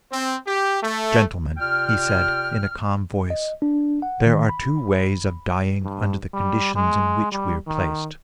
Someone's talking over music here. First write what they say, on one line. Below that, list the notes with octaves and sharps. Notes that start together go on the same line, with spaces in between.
"Gentlemen," he said in a calm voice, "there are two ways of dying under the conditions in which we're placed."
C4
G4
A3
C3 F4 D5 G5 F6
D#5
D4
F#5
D#3
B5
G2
G3
G#3
G3
D#3